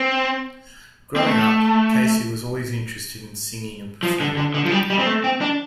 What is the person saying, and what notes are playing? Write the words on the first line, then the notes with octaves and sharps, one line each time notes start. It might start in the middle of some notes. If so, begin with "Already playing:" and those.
Growing up, Casey was always interested in singing and performing.
Already playing: C4
C4
A3
F3
D3
D3
D3
F3
G3
G3
C4
A3
C4
D4